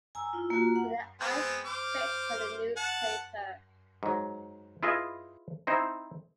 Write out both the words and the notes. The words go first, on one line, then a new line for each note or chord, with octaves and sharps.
With the eyes fixed on the newspaper.
G#5 A#5 E6
E4 F4
A#3 F4 F#4
F#5
G#3 B3 C4
C5 D6 F6
F#5 A5
G#2 F#3
E4 F4 G#4 B4 D#5 E5
C4 D#4 E4 C5